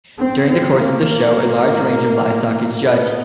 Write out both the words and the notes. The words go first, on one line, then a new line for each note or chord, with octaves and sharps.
During the course of the show, a large range of livestock is judged.
A2 C4
C4
A#3
B3